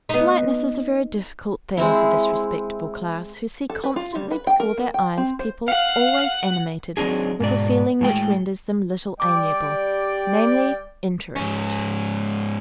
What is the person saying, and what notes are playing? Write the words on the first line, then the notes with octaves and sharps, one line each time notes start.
Politeness is a very difficult thing for this respectable class, who see constantly before their eyes people always animated with a feeling which renders them little amiable, namely, interest.
B3 D#4
G#3 C4 E4
A4
B4
F4
G3
B4
G5
A#4
A#3
G5
C4
C5
F5 F#5
F#3 C4 D4 D#4 G#4
G#2 B2 D5
A2 G#3 G5
G3 D5 G5 D6
G#2 C#4